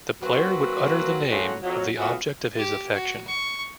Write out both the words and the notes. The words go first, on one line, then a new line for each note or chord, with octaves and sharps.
The player would utter the name of the object of his affection.
F#3 A#3 C4 F#4 B4
A2 C#3 F#3 C5 F#5
F2 F#3
A2 E3 F#3 B3 F4 F#4
G4
F#4
C#6